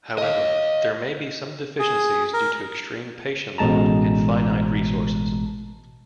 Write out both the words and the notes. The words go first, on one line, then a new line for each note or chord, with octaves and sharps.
However, there may be some deficiencies due to extreme patient load and finite resources.
D#5 F5
G#4
A#4
A1 B2 G#3 A5 A#5